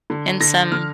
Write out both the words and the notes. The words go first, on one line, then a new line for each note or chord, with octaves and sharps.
and some
D3
D3 A#6
D3 F6